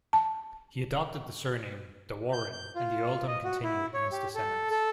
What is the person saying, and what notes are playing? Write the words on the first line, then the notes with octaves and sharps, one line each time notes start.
He adopted the surname "de Warenne", and the earldom continued in his descendants.
A5
G6
G6
F4
D#5
F#4
E4
C#5
G4
A4
A4